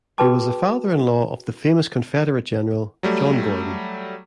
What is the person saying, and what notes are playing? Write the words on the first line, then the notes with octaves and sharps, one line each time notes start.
He was the father-in-law of the famous Confederate General John Gordon.
F#4 G#4 B4 G5 A5 D6
F#3 G3 A3